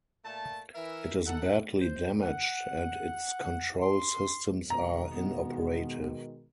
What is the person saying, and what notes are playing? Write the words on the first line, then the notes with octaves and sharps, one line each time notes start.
It is badly damaged and its control systems are inoperative.
A#2 A3 A5
E3 A#4 E5
D#4 A4 E5 F#5
C5
F#5
C6
B2 D#3 G#3 A#5
B3